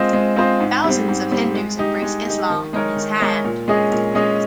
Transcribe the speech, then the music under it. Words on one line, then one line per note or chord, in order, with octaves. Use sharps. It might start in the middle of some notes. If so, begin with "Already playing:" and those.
Thousands of Hindus embrace Islam on his hand.
Already playing: G#3 C4 F4 C5 D#5
G#3
C4 F4 C5 D#5
G#2
G3 C4
G#2
G3 C4
G#3
D#4 G4
G#3
D#4 G4
D#3
G#3 D#4 A#4 C#5
D#3
G#3 D#4 A#4 C#5
A#2
G#3 C#4 G#4 D#5
A#2
G#3 C#4 G#4 D#5